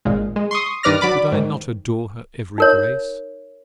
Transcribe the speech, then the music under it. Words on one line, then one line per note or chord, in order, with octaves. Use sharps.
Did I not adore her every grace?
G#1 A#2 G#3
G#3
C6 C#6 D#6
G2 D#3 B4 D5 F6 A#6
F#3 D5 B5 D6
G#2 D#3
D#4 A#4 C#5